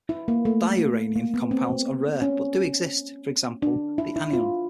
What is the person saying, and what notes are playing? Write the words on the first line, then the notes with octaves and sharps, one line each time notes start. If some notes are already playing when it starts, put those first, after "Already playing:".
Diuranium compounds are rare, but do exist; for example, the anion.
E4
A#3
A3
A#3
B3
C4
C#4
D4
E4
E4
F4